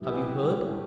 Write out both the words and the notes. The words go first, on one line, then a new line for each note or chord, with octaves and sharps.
Have you heard?
B1 B2 E3 B3 E4 G4
G2
A2 D3 A3 C#4 G4